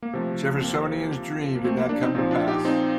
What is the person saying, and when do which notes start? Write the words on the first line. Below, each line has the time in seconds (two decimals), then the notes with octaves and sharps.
The Jeffersonians' dream did not come to pass.
0.02 A#3
0.13 C3 F3 A3
0.57 C4
0.64 A#3
1.55 A#3
1.64 A3 C4
1.77 A#3
1.89 A#3 D4
2.01 C4 D#4
2.14 A#2 F3 C4 D#4
2.31 D4 F4
2.48 D#4 G4
2.65 C4 D#4